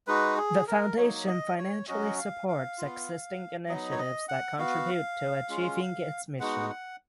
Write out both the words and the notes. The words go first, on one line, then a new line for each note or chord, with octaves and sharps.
The foundation financially supports existing initiatives that contribute to achieving its mission.
G#3 D#4 F#4 B4
G#4
A#4
F#3 A#3 D#4 C#5
D#5
C#5
F#3 C#4 F#4 D#5
F5
F5
B3 F4
F#3 B3 D#4 D#5
C#5
D#5
F#5
B3 F#4 F5
G#3 C#4 F4
G#3 B3 D#4 F#4 F#5
F#5